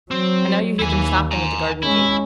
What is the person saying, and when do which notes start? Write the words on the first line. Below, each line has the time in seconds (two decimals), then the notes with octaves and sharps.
And now you hear them stopping at the garden-gate!
0.11 F#3 C4
0.79 D#2 D#3 E4 G#5
1.31 G#5 A#5
1.83 G#3 C#4 E4